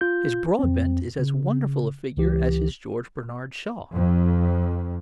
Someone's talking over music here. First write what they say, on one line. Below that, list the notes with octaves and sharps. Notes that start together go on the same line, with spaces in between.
His Broadbent is as wonderful a figure as his George Bernard Shaw.
F4 G6
F2 C4
C#3
C#2 E3 G4
F2